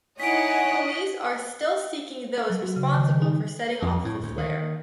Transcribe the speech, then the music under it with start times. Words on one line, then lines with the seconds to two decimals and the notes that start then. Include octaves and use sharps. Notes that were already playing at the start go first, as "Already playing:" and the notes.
Police are still seeking those responsible for setting off the flare.
0.20 D#4 E4 C#5 D#5 F#5 G#5 B6 D7
2.50 F#3
2.62 F#4
2.76 C#3
2.94 D#3
3.10 D#3
3.22 D#4
3.82 F2
4.05 A2
4.23 D2
4.38 D#3